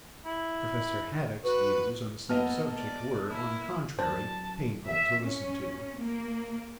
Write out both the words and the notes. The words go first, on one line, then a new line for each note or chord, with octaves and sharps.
Professor Haddock's views on the same subject were, on the contrary, painful to listen to.
E4
F#4 B4
A#3 B3 A4 D#5 A5 F6
D5
A#3 E4
F#2 D4 C5 A5
E5
C#4
A#3